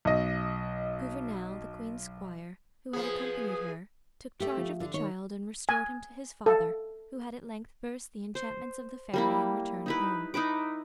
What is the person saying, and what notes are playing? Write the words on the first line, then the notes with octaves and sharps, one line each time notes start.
Gouvernail, the queen's squire, who had accompanied her, took charge of the child, and restored him to his father, who had at length burst the enchantments of the fairy, and returned home.
B1 D#5
F3 B3 G#4
A3 G4
F3
D3
D#3 C#5
G#5
A4
C5
G3 A#3 E4
D#4 E4 B4
D#4 E4 B4 D6